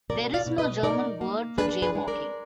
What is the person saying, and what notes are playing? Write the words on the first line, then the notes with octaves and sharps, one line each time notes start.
There is no German word for jaywalking.
B2 A#4 D5
D5 F5
B2
B4 D#5
D#4 A#4 D5
A#3
D4 G#4 B4
G#4 B4
G#3
A#4 D5